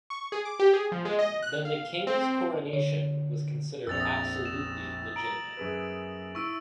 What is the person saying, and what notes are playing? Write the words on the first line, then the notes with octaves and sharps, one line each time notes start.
Then the King's coronation was considered absolutely legitimate.
C#6
G#4
D6
G4
G#4
F3
G#3
D#5
F#6
F5
C4
D3 C#5
A#1 F2 E6 A6 F7
D#6 A#6
E7
A#5 D7 F#7
F#2 G#4 B4
E4 C#6 E6 D7